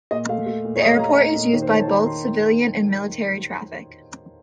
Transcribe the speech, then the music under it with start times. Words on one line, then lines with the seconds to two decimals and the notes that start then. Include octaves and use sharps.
The airport is used by both civilian and military traffic.
0.11 A#2 D#5
0.29 A3 F5
0.46 A3
0.65 A#2
0.76 C#5
0.82 A3 D#5
0.92 F5
0.99 A3 A#5
1.09 D#5
1.17 A3
1.35 A#2
1.53 D#3 C#5
1.62 C5
1.70 D#3 C#5
1.80 A5
1.88 D#3 A#5
2.06 D#3 C6